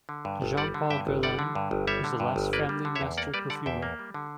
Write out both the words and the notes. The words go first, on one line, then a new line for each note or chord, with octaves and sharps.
Jean-Paul Guerlain was the last family master perfumer.
D3
G2
G1
G3 D5 F#5
D3
G2 E5 G5
G1
G3 D5 F#5
D3
G2
G1
G3 C#5 E5
D3
G2
G1
A#3 B4 D5
G3
D3
C#5 E5
E2
A#3 D5 F#5
G3 B4 D5
D3 D5 F#5
E2 E5 G5
A#3
G3
D3